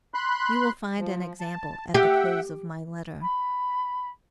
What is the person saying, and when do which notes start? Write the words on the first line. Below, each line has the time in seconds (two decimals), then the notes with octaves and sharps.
You will find an example at the close of my letter.
0.14 B5 C6 F#6
0.98 F3
1.40 A5
1.94 G4 E5 F#5 G5
3.22 B5